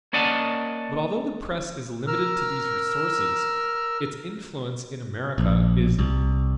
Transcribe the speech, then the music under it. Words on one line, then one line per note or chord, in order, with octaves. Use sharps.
But although the press is limited to these resources, its influence in America is immense.
A#3 C#4 D5 D#5 F#5 A5
A#4 E6 F6
A#1
C2